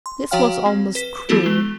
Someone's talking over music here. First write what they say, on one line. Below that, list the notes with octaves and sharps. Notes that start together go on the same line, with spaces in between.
This was almost cruel.
C6
F3 F#4 C#5 F5 G5 F6
C4
B4 B6
E3 F#3 B3 E4 F#4 A4
G#3 G7